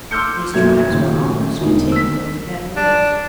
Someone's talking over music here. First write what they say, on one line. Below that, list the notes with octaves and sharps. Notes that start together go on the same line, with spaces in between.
These tribes were almost continually at war.
C6 D6 E6 F6 G6 C#7
F#2 B2 A#3 A4 E5 G#6
D#2 A#2 C#3
A3
E1 D3 D#4
E6 B6
D4